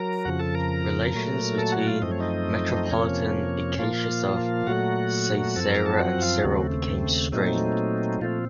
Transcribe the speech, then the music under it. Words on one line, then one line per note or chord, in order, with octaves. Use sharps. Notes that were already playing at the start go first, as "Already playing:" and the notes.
Relations between Metropolitan Acacius of Caesarea and Cyril became strained.
Already playing: F#3 A#4 A#5
F2 C#3 F3 F#4 F#5
A4 A5
A#4 A#5
A#2 F#3 A3
A4 A5
F#4 F#5
F4 F5
F#2 F3 A3 C4 D#5
C#5
D#4 D#5
F2 C3 F3 A#3 C#4 C#5
A#2 F3 A#3 F4 F5
A#2 F#3 A3 F#4 F#5
F#2 F3 C4 A4 A5
A#4 A#5
A4 A5
F#4 F#5
F4 F5
D#2 C#3 F#3 A3 C4 F#4
A#2 F#3 A3 C4 D#4
A#2 F3 A3 C4 F4